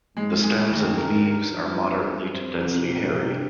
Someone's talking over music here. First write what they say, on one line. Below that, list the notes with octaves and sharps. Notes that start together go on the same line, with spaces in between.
The stems and leaves are moderately to densely hairy.
G#2 G#3
G#3
G#2
D#2
G2 A#4
A#4
F3
C4
G3
C4
C2 F2
C3
G2
C3